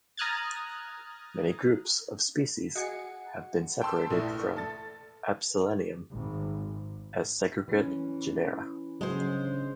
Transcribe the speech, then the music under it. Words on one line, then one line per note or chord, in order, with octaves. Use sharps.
Many groups of species have been separated from "Asplenium" as segregate genera.
A#5 D#6 F6 F#6 G#6 A6
F#4 G#4 D#5 F#5 G#5 C#7
G5 A5 C6 E6
A#1 E3 A3
A4 A6
G#1
E3 C#4
G1 C#3 F#3 G#3 C5